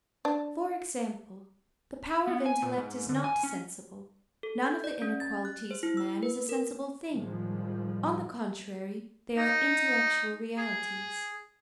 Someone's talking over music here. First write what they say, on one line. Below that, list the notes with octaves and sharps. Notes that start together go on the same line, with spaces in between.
For example, the power of intellect is not sensible; none of the inner qualities of man is a sensible thing; on the contrary, they are intellectual realities.
D4
B3
G#5
A#2
G#2
D3
G#5
C#4
A4
G6
D5
C#4
A6
F#6
C5
E4
E6
B4
A#4
A2 D#3 F3 G3 G#3
D#4
G#4